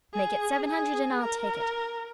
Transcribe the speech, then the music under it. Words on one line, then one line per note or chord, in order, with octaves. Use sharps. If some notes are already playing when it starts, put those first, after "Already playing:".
"Make it seven hundred and I'll take it."
G#4
G#4
A#4